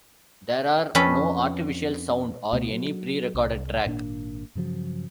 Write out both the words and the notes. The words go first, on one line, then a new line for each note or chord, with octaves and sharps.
There are no artificial sound or any pre-recorded track.
F2 C#4 B4 A5 B5
C#2 B2 A3 B3
F#3
C2
G#1 A#2 A#3 D4
G2 C#3 F3 F#3